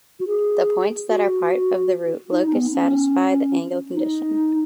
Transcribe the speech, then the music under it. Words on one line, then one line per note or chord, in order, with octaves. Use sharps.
The points that are part of the root locus satisfy the angle condition.
F#4
G#4
F#4
D#4
B3
C#4
D#4